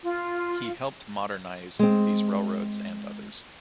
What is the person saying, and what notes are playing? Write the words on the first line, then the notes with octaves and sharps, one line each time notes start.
He helped modernize these railroads and others.
F4
G#3 C4